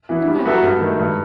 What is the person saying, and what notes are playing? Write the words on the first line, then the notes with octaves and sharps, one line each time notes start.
"In my lap."
E3 B3 E4
G3
B3 F#4 A4 E5
G2
D#3 A3
G2